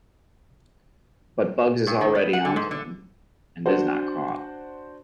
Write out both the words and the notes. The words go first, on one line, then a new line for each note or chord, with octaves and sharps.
But Bugs is already on to them, and is not caught.
G2
D#3
B3
F#5
D3
G#2
D3
D4 F#4 C5